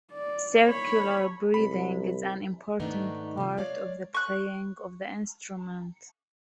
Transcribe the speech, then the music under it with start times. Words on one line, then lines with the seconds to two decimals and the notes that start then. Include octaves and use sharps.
Circular breathing is an important part of the playing of the instrument.
0.13 D5
0.66 C#5 B5
1.54 C2 B5
2.80 G#2 D#3 A3 B3 D4 D#4
3.37 C3 F3
3.57 G#3 C#5 D5 F5
4.14 C#6 F#6